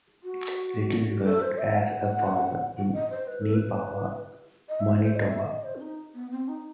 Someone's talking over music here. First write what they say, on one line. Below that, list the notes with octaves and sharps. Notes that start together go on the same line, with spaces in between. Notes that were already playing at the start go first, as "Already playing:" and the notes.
Little worked as a farmer in Neepawa, Manitoba.
F#4
G4
A4
C5
E5
F#5
F#5
D#5
C5
B4
A4
B4
D#5
E5
C5
D#5
E5
D#5
C5
C4
D#4
B3
C4
D#4